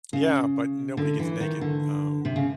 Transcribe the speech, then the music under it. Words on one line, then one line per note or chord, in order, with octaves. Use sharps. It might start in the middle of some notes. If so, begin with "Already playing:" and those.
Yeah, but nobody gets naked. Um
C#3
D3
E3
D#3
D3
C3
C#3